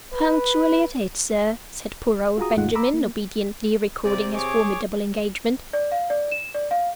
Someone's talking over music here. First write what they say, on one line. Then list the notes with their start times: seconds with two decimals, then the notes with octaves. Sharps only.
"Punctually at eight, sir," said poor old Benjamin, obediently recording his formidable engagement.
0.13 B4
2.38 F4 F#4 G#4 A#5 D#6
2.57 D#2 G#2 A3 D#4 F4 F#5
2.75 A#5 B5 D6 E6
2.94 A#3
4.05 C3 D5
4.35 G#4 C#5 D6
5.73 D5
5.92 F5
6.10 D5
6.32 E7
6.54 D5
6.71 F5